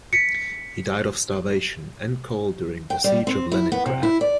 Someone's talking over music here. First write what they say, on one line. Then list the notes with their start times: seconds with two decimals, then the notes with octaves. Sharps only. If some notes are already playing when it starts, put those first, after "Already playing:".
He died of starvation and cold during the Siege of Leningrad.
0.13 B6 C#7
2.90 G5
3.04 G3
3.27 C4
3.52 E4
3.72 B3
3.86 C3
4.03 E4
4.21 D5